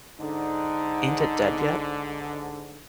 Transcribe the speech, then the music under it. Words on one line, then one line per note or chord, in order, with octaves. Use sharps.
Ain't it Dead Yet?
G#2 D3 D#4